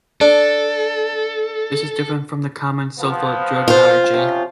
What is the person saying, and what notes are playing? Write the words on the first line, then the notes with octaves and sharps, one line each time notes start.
This is different from the common sulfa drugs allergy.
D4 A4
F3 B3
F4 C5
C3 F3 C#4